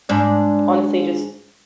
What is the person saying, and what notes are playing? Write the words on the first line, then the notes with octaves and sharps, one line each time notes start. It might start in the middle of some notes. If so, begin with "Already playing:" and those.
honestly, just
G#2 D4